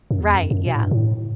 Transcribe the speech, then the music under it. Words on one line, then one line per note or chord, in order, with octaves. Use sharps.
Right, yeah.
F#2
E2
F#2
F#2
B2
A2
G2
A2